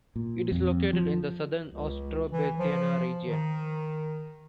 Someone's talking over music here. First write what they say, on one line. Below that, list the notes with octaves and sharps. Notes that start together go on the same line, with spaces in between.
It is located in the Southern Ostrobothnia region.
A#2
F2
F3
C#2
E3
F3
D#3